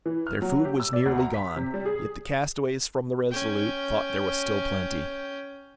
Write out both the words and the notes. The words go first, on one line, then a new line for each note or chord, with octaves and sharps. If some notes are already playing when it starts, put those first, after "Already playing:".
Their food was nearly gone, yet the castaways from the RESOLUTE thought there was still plenty.
E3
F6
F#3
G4
E6
D5
D2
A#5
B6
C3
G3
G#4
C#4 G5